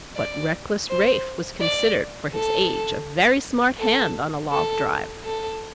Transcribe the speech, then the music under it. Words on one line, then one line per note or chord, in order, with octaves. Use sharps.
But reckless Rafe was considered, for his age, a very smart hand on a log drive.
D5
C5
D5
A4
A4
A4
A4